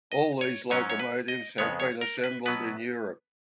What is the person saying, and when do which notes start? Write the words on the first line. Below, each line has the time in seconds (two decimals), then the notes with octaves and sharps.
All these locomotives have been assembled in Europe.
0.12 D#5
0.41 C#5
0.70 G#2 F#3 C#4 C#5
0.90 C#5
0.99 B4
1.28 D#5
1.58 F2 C#3 G#3 B3 C#5
1.80 C#5
2.01 A#4
2.24 B4
2.45 B2 F#3 B3 B4